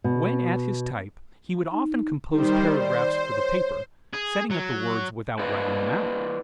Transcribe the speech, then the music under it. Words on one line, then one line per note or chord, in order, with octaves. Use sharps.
When at his type, he would often compose paragraphs for the paper, setting up the words without writing them out.
B2
D#4
D#3 G3 D#4 C5
C5 D5
C#5
G#4
F#3
E4 B4 C5 D5 D#5